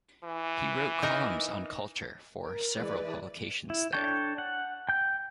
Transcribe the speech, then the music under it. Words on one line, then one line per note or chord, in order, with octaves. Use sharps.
He wrote columns on culture for several publications there.
E3
D#4 A#4
A#4
E3 G#3 B4 D5
E4
D4 A4 C#5 G5
F#5
G5 G6